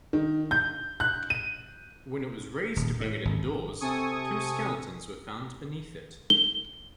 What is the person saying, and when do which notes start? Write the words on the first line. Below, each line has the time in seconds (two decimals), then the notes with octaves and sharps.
When it was raised to bring it indoors, two skeletons were found beneath it.
0.13 D#3
0.51 G6
1.00 F#6
1.30 D#7
2.76 D#1
3.01 A2
3.25 G#1
3.81 C3 A4 G#5 C#6 D#6
6.30 G7